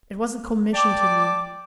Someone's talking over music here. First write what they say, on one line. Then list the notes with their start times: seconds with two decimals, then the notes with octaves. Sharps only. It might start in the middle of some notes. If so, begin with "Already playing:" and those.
It was a commission to me!
0.74 D5 G5 A5 D6